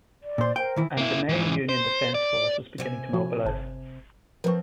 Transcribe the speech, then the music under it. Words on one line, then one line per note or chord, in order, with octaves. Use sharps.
And the main Union defense force was beginning to mobilize.
D5
A#2 C5
A#4 C5 G5
D#3 E3 E4
A#3 E4
G#2 E3
C5
D5
C3 C#5 G#5
F3 F#4
G1 A5
F3 C4 A#4 B4 C#6